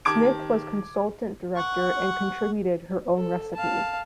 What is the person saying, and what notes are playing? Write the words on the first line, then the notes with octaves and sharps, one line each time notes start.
Smith was Consultant director and contributed her own recipes.
D#3 G4 A5 D6 G#6 D7
F#5 C#6
A4
F5 A5